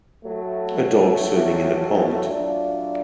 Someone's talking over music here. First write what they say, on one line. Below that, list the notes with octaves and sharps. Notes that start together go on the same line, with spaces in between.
A dog swimming in a pond.
A2 F#3 A3
A#2 F#3 A3 D4 F4